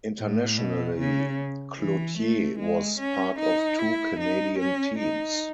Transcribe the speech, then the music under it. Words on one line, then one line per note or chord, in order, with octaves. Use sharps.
Internationally, Cloutier was part of two Canadian teams.
A2
B2
C#3
E3
A3
G#3
C#4
D#4
E4
D#4
C#4
D#4